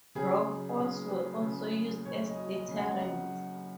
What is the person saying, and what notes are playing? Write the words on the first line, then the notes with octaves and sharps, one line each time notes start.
Rock falls were also used as deterrents.
C#3 G#4
F#2
F#1
F#3 B4
C#3
F#2
F#1 C#5
D#5
F#3
D#5
C#3
F#5
F#2 F#5